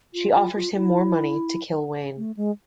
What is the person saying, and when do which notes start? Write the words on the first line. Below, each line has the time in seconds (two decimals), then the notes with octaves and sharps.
She offers him more money to kill Wayne.
0.14 F4
0.35 F4
0.55 F4
0.75 E4
2.17 A3
2.37 G#3